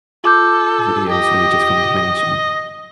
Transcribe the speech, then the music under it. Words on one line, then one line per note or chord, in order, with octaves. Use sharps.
i it was really just from the mansion,
F4 A4 D6 G6
G4 D#5